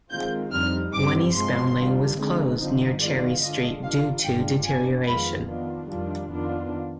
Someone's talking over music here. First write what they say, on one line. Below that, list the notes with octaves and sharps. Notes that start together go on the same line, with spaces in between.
One eastbound lane was closed near Cherry Street due to deterioration.
D#3 G#3 C4 F4 G6
F2 D3 G3 C4 D#4 F6
G2 D3 G3 C4 D6
C3 F3 G#3 C6
D#3 G3 D4 F4
D3 G#3 C4 D#4
G2 D3 F3 C4 D#4
D#3 G#3 B3 F4 D5
D3 G#3 D4 F4 D#5
D#3 G3 D4 F4 F5
G2 D3 G#3 D4 F4 G5
B2 B3 D4 G#5
F2 D#3 G#3 B3 F4 B5
D#3 B3 D4 F4
F2 D#3 G3 D4 F4
F2 D#3 B3 D4 F4